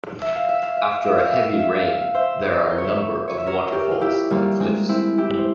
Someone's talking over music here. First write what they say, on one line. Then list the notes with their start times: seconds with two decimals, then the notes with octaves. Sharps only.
After heavy rain there are a number of waterfalls on the cliffs.
0.22 E5
0.36 F5
0.49 E5
0.62 F5
0.77 E5
0.91 F5
1.05 E5
1.18 F5
1.32 E5
1.45 F5
1.59 E5
1.73 F5
1.87 E5
2.01 F5
2.14 C5 E5
2.56 G#4
2.64 A#4
2.71 C5
2.78 C#5
2.84 C5 E5
3.28 C#5
3.38 E5
3.46 A#4 C#5
3.72 G4 A#4
3.91 F4
4.01 E4 G4
4.30 G3 A#3
4.60 G#3 C4
4.89 C4 E4
5.18 E4 G4
5.39 C5